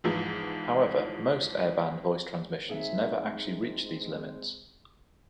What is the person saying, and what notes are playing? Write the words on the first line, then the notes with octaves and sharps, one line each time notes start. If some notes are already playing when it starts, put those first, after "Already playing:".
However, most airband voice transmissions never actually reach these limits.
E2 G#2 E3 F3
G#3 C4 D#4 G#4 E5